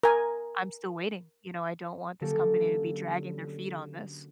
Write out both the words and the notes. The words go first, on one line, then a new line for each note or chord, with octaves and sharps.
I'm still waiting. You know? I don't want this company to be dragging their feet on this.
A#4 G#5
D3 F#3 A#3 C#4 G4 A4